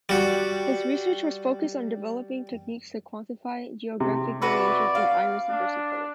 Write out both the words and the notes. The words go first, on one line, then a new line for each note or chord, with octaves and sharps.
His research was focused on developing techniques to quantify geographic variation in "Iris versicolor".
G3 F#4
C3
F#4 B4 D5 E5
F5
D4